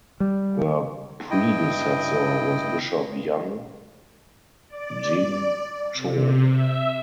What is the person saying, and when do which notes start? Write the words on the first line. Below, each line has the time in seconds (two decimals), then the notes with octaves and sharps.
Her predecessor was Bishop Young Jin Cho.
0.20 G3
1.31 G2 E4 D#5 G5
4.68 D5
5.92 C3
6.48 E5